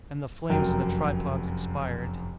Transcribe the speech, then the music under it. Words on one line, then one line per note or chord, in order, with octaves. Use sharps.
And the flames of the tripods expired.
F1 F#2 A#4 G5